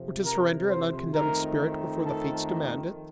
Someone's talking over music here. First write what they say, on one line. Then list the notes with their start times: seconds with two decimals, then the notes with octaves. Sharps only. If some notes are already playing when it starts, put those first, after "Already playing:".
Or to surrender an uncondemned spirit before the fates demand it?
Already playing: F2 C3 F3
0.25 A#4
0.70 C5
1.14 F2 D#3 A3 C4 A#4
2.05 A4